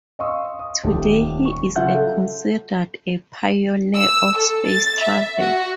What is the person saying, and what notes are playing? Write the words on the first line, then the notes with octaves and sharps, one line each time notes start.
Today he is considered a pioneer of space travel.
D#5 F5 C6 C#6 D#6 E6
D#6
D#1 A3 G4 A5
C#6
C#3 F#3 F4 E5 F#5 G6
A4
E6
A4
A6
E5
F#4